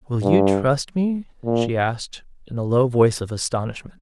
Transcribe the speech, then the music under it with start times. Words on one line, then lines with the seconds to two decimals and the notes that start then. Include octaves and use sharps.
'Will you trust me?' she asked, in a low voice of astonishment.
0.22 G2
1.45 A#2